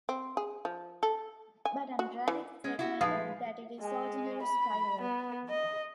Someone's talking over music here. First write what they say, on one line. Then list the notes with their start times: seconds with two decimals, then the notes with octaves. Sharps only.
But I am ready to take my oath that it is ordinary spy work.
0.09 C4
0.37 G#4
0.65 F3
1.03 A4
1.65 G#5
1.99 F#4
2.28 E3
2.64 G#3 C#4
2.79 E4 F#4 G4
3.01 F3 G#3 B4 F5
3.80 G#3
4.43 B5
5.02 B3
5.49 D#5